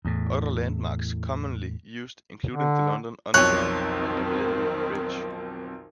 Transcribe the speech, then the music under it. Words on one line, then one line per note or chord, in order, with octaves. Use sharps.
Other landmarks commonly used included the London Underground, and the Millennium Bridge.
E2 A2
D3
B1 F2 D#3 C4 C#5 F#6